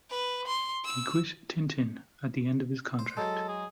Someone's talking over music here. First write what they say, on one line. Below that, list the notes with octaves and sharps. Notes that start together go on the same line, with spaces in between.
He quit "Tintin" at the end of his contract.
B4
C6
E6
C5
F#3 G#3 A4
G#4